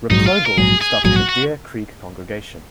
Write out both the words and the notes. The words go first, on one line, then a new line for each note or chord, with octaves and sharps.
Replogle started the Deer Creek congregation.
A#1 G#2 F#3 D#4
F4
A#4
A#1 G#2 F#3 G#4
G#4
A#1 G#2 F#3 G#4
F#4
F#4